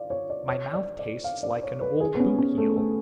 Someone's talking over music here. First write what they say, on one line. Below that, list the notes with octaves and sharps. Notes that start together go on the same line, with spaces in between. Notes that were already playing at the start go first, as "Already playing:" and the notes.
My mouth tastes like an old boot heel.
Already playing: F4 D5
C#5
D5
C#5
D5
D5
F5
D5
C#5
B4
G#4
B3
C#4
C#4
A3
A3